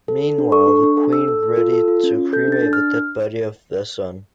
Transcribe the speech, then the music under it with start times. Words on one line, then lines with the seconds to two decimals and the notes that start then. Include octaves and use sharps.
Meanwhile, the queen readied to cremate the dead body of their son.
0.08 A4
0.22 A4
0.38 D4
0.52 A4 C#6
0.68 D4
0.83 D4
0.97 A4
1.13 A4 E6
1.28 A4
1.43 A4
1.57 F4
1.73 A4
1.88 F4
2.03 C#4
2.18 C#4
2.33 A4 G6
2.48 D4 A6
2.63 D4
2.73 F6